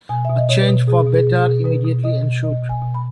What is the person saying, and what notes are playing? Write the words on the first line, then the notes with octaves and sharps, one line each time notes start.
A change for the better immediately ensued.
B2 G#5
E5
B2
D#5
B2 C#5
B4
B2
B2 G#4
B2
G#4
B2
G#4
B2
B2 B4
B2
B2 D#5
B2
B2 D#5
B2
G#5
B2
B5